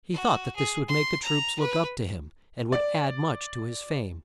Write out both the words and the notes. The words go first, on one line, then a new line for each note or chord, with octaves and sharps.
He thought that this would make the troops look up to him, and would add much to his fame.
F#4
G#4
C6
A#5
B4
D5